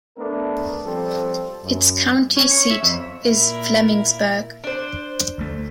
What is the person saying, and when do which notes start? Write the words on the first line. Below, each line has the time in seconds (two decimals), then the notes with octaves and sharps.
Its county seat is Flemingsburg.
0.18 A3 B3 D4 A#4
0.85 F3 G3 C4 A4
1.63 F#2
2.37 C#4
2.51 C#5
2.71 E5
2.83 F2
3.25 A#2 E4 A#4
4.64 D4 C5
5.38 D2 A3